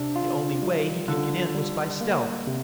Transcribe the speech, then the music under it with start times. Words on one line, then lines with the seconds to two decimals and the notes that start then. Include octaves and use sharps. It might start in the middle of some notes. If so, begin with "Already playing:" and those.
The only way he could get in was by stealth.
Already playing: C3 D4
0.16 F4
0.62 G3
1.08 D3 F4
1.54 G3
2.01 A#3
2.47 C3